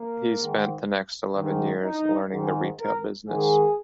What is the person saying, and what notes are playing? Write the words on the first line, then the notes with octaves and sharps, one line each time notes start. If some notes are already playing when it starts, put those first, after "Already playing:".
He spent the next eleven years learning the retail business.
Already playing: A#3
G#2 D#3
G#2 D#3
D#4
G#2 D#3
A#4
G#2 D#3 G#4